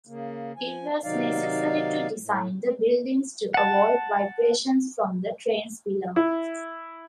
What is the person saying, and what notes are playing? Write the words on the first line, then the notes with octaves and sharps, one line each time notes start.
It was necessary to design the buildings to avoid vibrations from the trains below.
C#3 A#3
F3 G#5
C3 D#3 F#3 D#4 D5 F5
A2
C4
F#5 A5
E4